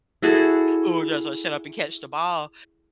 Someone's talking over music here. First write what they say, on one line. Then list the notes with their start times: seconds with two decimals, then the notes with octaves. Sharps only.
who are just, like, "Shut up and catch the ball,"
0.22 E4 F#4 G#4 A4